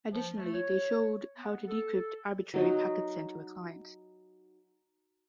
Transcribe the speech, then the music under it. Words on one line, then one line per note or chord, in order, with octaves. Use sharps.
Additionally they showed how to decrypt arbitrary packets sent to a client.
F3
A3
C#5
B3
A4
F#3 D#4 F#4